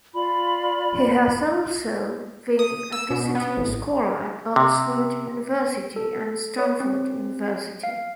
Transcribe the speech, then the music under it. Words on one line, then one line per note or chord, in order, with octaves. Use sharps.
He has also been a visiting scholar at Oxford University and Stanford University.
F4 D5 B5
D#6
E6
B2
B3
A1
C3
A4
C#5
C4
F5